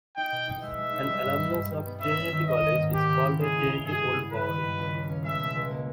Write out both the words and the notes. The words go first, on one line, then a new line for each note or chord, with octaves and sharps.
An alumnus of Trinity College is called a "Trinity Old Boy".
D#4 G5
B2
D#4
G#3 E5
G#3
D#4
G3
G2
G3
G2
G3
B3
C#4 E5
C#4
D#3
C#4 D#5
A#3
G#2
G#3 G4
C#3
E4
C#3 G#4
E4
E4
G2 G#4
B3
B3
G2 B4
D#3
G2
C#2
C#2
C#4
G#3 E5
B2
C#2
A#3